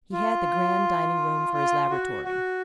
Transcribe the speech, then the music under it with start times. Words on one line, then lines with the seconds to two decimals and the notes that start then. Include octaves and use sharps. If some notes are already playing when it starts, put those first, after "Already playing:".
He had the grand dining-room for his laboratory.
0.12 F4
1.54 F4
1.89 F#4
2.25 F#4